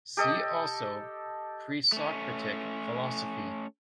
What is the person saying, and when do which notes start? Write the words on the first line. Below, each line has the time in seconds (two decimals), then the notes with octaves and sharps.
See also: Pre-Socratic philosophy.
0.17 G4 A4 D#5
1.92 A3 C#4